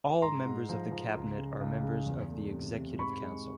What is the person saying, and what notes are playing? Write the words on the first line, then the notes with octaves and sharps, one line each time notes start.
All members of the Cabinet are members of the Executive Council.
G#2 A#5 C6
G#2
F3
F3
C#2
C#3
C#2
C#3
E2
A3
C3
C3
G#2 B5 C#6
G#3